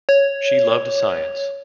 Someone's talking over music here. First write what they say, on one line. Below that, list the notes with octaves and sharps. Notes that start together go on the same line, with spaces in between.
She loved science.
C#5